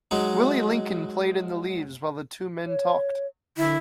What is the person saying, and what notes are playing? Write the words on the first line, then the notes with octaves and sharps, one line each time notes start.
Willie Lincoln played in the leaves while the two men talked.
F#3 G#3 D#4
C#5
D3 E4